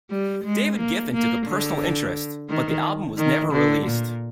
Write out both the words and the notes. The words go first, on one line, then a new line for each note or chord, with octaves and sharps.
David Geffen took a personal interest, but the album was never released.
G3
G#3
A#3
A#3
D3
D#3
D#3
D3
A#2